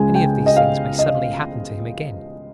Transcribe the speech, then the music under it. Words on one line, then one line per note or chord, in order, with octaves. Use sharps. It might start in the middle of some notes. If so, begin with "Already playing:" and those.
Any of these things may suddenly happen to him again.
Already playing: C#2 C#3 G#3 G#5
G5
D#5
F5
D#5